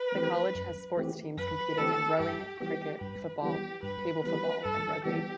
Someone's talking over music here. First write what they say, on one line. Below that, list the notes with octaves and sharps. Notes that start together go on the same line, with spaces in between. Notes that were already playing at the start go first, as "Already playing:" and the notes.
The college has sports teams competing in rowing, cricket, football, table football and rugby.
Already playing: B4
E3 A3 C4 G4
F#2
E3 A3 C4 G4
F#2 B4
E3 A3 C4 G4 A4
G2 G4
E3 G3 B3 G4
G2 B4
E3 G3 B3 G4
G2 B4
E3 G3 B3 B4
G2 A4
E3 G3 B3 G4